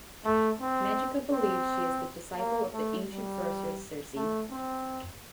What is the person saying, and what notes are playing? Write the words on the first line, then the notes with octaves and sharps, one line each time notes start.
Magica believes she is the disciple of the ancient sorceress Circe.
A3
C4
C4
A#3
A3
G3
A3
C4